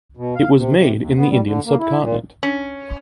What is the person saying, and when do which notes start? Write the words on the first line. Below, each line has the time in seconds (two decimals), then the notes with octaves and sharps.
It was made in the Indian subcontinent.
0.17 B2
0.35 F5
0.57 C3
0.75 C3
0.97 D#2
1.17 B3
1.29 G3
1.45 D3
1.65 A#3
1.79 E4
2.02 A#2
2.43 C#4